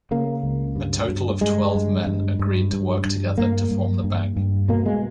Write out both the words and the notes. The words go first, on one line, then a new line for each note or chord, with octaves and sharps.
A total of twelve men agreed to work together to form the bank.
C#3 A#3
C#2
G2
G2
G2 G#3
G2
G2
G2
G2
G2
G2 A#3
G2
G2
G2
B2 A#3
G#3